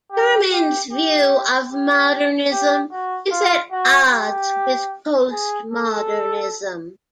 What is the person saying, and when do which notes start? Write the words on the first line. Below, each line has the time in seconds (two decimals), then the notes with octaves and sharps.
Berman's view of modernism is at odds with post-modernism.
0.12 G4
0.52 G4
0.92 G4
1.72 G4
2.52 G4
2.91 F#4
3.31 F4
3.72 F#4
4.12 G4
5.31 G#4
5.71 A4